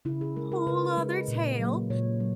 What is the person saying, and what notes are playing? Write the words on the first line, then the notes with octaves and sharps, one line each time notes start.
whole other tale,
C#3 E4
G#4
G#3 A#4
A#4
C#3 B4
G#3
A#2
F#3 A#3
A#2 C#5
F#3